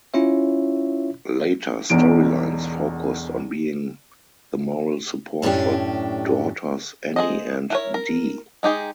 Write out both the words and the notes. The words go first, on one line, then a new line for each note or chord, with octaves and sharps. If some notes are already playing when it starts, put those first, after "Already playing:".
Later storylines focused on being the moral support for daughters Annie and Dee.
C#4 E4 F4 C#5 E5
E1 B1 E2 D7
F#2 A2 C#4 D4 G4
G#4 A4 C5 D#5
E4 A#4 C#5
A#4
G#3 D#4 G4 G#4